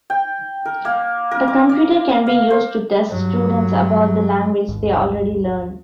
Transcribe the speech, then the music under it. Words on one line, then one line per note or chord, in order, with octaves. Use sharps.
The computer can be used to test students about the language they already learn.
G5
A#4
A#3
A#4
D6
D5
F5
C5
G2 F#3
A1 D#2 G#2